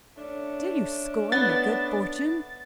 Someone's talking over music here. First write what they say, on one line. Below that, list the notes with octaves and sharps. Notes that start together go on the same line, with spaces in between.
Do you scorn your good fortune?
A3 C#4 D4
B3 A6